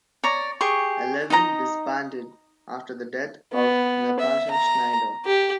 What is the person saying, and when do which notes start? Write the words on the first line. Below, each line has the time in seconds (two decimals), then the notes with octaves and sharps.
Eleven disbanded after the death of Natasha Schneider.
0.24 C#5 D5 A#5
0.61 G4 G#4 C#6
1.30 D#4 D#5 F#5 A#5
3.53 B3
4.20 E5
4.51 A#5
5.26 G4